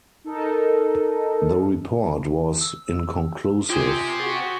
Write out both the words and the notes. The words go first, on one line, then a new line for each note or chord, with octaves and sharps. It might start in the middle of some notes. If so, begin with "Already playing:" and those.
The report was inconclusive.
D#4 A4 A#4 D#5
E6
F4 G4 C5 G#5 D#6 G#6
F#4 G#4 A6